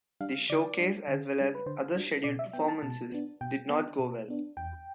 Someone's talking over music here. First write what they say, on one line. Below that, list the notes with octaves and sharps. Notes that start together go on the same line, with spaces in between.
The showcase, as well as other scheduled performances, did not go well.
G3 D4 F5
D3 D5
G3 D4
D3
G3 D4
B4
D3 C5
G3 D4
B2 D5
E5
B3 D4 G5
A5
B2 A5
B3 D4
B2 G5
B3 D4
B2
B3 D4
E2 G5